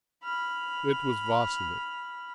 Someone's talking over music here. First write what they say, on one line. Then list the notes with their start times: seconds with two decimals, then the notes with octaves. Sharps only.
It was Vasily.
0.23 B5 F6